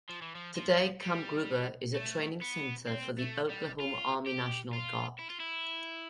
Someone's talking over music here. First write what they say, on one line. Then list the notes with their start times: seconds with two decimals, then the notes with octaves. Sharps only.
Today Camp Gruber is a training center for the Oklahoma Army National Guard.
0.09 F3
0.22 E3
0.35 F3
0.55 F3
1.02 G3
1.94 A3
2.42 B3
2.87 C4
3.18 A3
3.49 G3
3.80 F4
4.27 G4
4.73 F4
5.19 E4
5.30 F4
5.40 E4